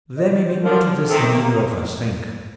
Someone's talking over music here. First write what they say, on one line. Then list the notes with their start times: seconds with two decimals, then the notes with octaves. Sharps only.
There may be more to this than either of us think.
0.17 D#5
0.32 D5
0.47 C5
0.62 D3 F3 A#4
1.08 C3 D#3 A4
1.19 C4
1.31 A#3
1.42 A#3